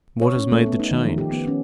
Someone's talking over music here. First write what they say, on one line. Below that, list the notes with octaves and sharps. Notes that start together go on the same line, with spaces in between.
What has made the change?
C#5
C#4
A3
B3
D#4
D#3
F3
G4
B3
C#4